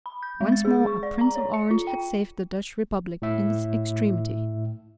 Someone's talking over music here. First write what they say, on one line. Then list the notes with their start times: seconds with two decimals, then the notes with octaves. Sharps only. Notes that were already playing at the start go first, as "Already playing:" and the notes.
Once more a Prince of Orange had saved the Dutch Republic in its extremity.
0.06 B5
0.23 G6
0.41 G#3
0.52 A6
0.65 G#4
0.87 C#6
1.03 D5
1.21 A#5
1.36 C#5
1.54 C#7
1.71 F4
1.87 G5
3.22 A2 E5